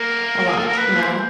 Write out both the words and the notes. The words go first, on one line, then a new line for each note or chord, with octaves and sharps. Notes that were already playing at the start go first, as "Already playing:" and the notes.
a lot, you know?
Already playing: A#3 A#4
G#4
A4
A#4
B4
C5